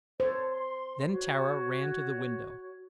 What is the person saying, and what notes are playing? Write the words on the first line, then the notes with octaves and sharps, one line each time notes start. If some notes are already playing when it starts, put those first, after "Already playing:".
Then Tara ran to the window.
A4 C5 C#5
C6
F#4 C#5